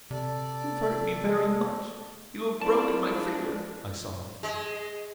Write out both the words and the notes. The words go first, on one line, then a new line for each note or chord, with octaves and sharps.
'You've hurt me very much--you have broken my finger,' I sobbed.
C3 A4 D5
C4 E4 F4 D5 A5
F3 G#3 D4
G#3